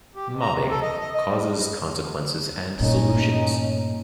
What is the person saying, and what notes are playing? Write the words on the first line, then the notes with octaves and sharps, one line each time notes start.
"Mobbing: Causes, Consequences, and Solutions".
G4
B2
A#5
C3
A4
D#5
D#5
D#5
G3
G2 A#2 A3 C#4 D#4